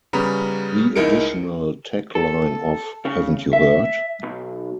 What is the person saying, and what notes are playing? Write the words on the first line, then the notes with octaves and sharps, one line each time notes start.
The additional tagline of Haven't you heard?
C#3 G3 B3 C#4 A#5 B5
C#2 D#4 E4 A#4 C#7 D7
A4
C#3
E5
B1